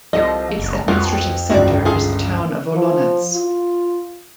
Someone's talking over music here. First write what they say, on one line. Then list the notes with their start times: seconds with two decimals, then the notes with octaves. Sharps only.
Its administrative center is the town of Olonets.
0.13 C2 F3 A4 D#5 A#6
0.59 F#1
0.88 F2 B3 F4 F#4
1.50 G1 C#2 F#4 D5
1.85 F4 G#4 A4
2.74 F3
3.33 F4